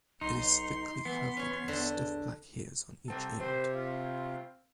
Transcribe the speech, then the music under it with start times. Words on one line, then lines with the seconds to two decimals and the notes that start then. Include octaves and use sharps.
It is thickly covered with stiff black hairs on each end.
0.21 B1 D#4 C6
1.05 E3 B3
1.37 C#4 C#5
1.68 E2 D3
3.08 C2 C4 A4
3.40 C3 C4 C5
3.74 F4